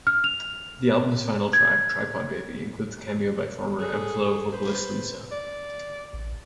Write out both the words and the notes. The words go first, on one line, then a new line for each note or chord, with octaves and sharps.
The album's final track, "Tripod Baby", included a cameo by former M-Flo vocalist Lisa.
F6
F7
G#6
G#4 A4
B4 C5
D5
A1